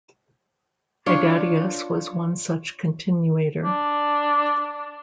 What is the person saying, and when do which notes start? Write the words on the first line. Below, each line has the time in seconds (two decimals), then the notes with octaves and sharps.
Hydatius was one such continuator.
1.06 D4 F4 C#5
3.64 D4